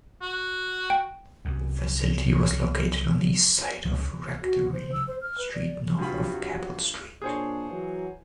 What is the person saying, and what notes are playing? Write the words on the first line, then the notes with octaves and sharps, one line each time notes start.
The facility was located on east side of Rectory Street north of Cabell Street.
F#4
G5
C2 F#2
C#2 F#2 C#3 F3
F#4
C5
E6
C5
F6
B4
D5
G2 C3 F#3 F4 F#4 B5
A#2 D4 G#4 C5 C#5
E3 F#3